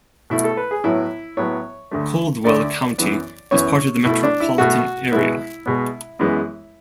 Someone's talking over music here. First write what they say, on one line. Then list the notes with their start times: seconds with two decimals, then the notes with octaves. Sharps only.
Caldwell County is part of the metropolitan area.
0.30 B2 A3 E4
0.44 A4
0.57 B4
0.71 G#4
0.84 A2 F#3 B3 E4
1.37 A2 F#3 B3 C#5
1.91 D2 D3 A3
2.44 D2 D3 A3 D5
2.98 F#2 E3 B3
3.51 F#2 E3 B3 C#5
4.05 B2 A3 E4
4.23 D4
4.40 E4
4.58 B2 A3 F#4
5.12 B2 G#3 B3 E4
5.66 B2 G#3 B3
6.19 F#2 E3 G#3 B3